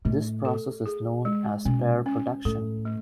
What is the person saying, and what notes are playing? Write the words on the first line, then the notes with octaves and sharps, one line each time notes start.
This process is known as pair production.
A2 A3
A4
G#4
G#3
B2 C#4
C#4
A2 A4
A3